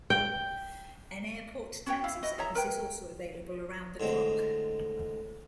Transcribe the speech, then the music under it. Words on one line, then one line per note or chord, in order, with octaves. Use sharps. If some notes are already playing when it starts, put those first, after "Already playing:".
An airport taxi service is also available around the clock.
G5
C#4 F#4 C#5 G5
E4 F5
E4 F#4 D#5
G#4 C#5 E5 A#5
A#4 B4 G5
A2 D3 G#3 C4